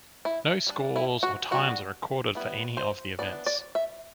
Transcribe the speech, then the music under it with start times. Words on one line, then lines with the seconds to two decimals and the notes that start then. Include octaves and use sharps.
No scores or times are recorded for any of the events.
0.25 E4
0.67 G3 D4
0.96 E4
1.23 F#4
1.51 G3 B3 D4 F#4
2.35 G3 B3 E4
2.77 C5
3.19 E3 B3 D4 D5
3.46 D5
3.75 E5